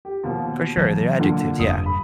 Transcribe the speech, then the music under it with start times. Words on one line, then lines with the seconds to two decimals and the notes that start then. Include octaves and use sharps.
For sure, they're adjectives, yeah.
0.05 G4
0.23 D#2 B2 F3
0.77 E3 F#3
1.19 A#2 D3
1.60 F1 G2 D#6
1.86 B5